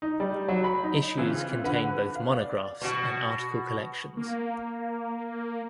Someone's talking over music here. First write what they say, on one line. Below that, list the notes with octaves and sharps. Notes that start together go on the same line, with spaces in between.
Issues contain both monographs and article collections.
D#4
G3
F#3
B5
D#4
C#3 E3 C4 F4
D3 B4 F#5
F5
D5
B2 F#4
A#3